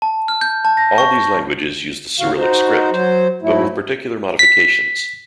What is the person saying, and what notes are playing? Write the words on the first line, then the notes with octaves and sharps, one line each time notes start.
All these languages use the Cyrillic script, but with particular modifications.
A5
F6
G6
A5
A#6
C#6
A2 D3 F#4 F5
D#4 F#4 C5
F#3 C5
G#2 F#3 A3 E4
B6